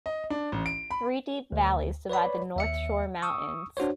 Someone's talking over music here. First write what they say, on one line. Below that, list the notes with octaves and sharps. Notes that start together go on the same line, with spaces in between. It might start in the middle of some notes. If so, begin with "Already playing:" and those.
Three deep valleys divide the North Shore Mountains.
D#5
D4
A1
D7
B5
D2
B4 C#5 D5 B5
D#2 E5 C#7
C#6 D#6 E6
D4 F#4 C5 C#5